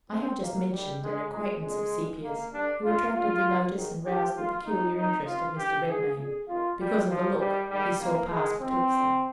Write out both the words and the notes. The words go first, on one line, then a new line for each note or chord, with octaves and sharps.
I have just mentioned an acquaintance of Sepia's, who attracted the notice and roused the peculiar interest of Mr. Redmain, because of a look he saw pass betwixt them.
G#2 D#3 C4
F2 D#3 A#3
G#2 D#3 G3
G2 D3 G#3
F2 C3 D#3 G#3
F2 D3 G#3
G2 D3
G#2 D#3 A#3
G2 D3 D4
G2 D3 F4
G2 D3 F4
G2 D#3
G#2 D#3
G#2 D#3 G4
G#2 D#3 F4
F2 D#3 D#4
F2 D#3 D#4
F2 C3 D#3 F4
G2 D3 G4
G#2 D#3 G#4
F2 D3 G#4
F2 C3 D#3 F4
F2 D3 G3
G#2 D#3 F3
G2 D#3 G3
G#2 D#3 G3
F2 C3 D#3 A#3
G#2 D#3 G#3
F2 D#3 C4
F2 D3